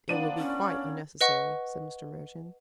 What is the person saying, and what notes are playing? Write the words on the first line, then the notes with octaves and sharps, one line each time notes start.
"It will be quite unnecessary," said Mr. Merton.
F3 A#3 B3 D4 D#7
C#4 E4
C#5
B4 D#5 F#5 C#6